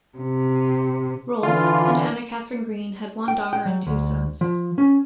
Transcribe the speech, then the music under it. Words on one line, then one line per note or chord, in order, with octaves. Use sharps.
Rohlfs and Anna Katharine Green had one daughter and two sons.
C3
D3 E3 F4
G5
G5
F#3
D2
F3
C#4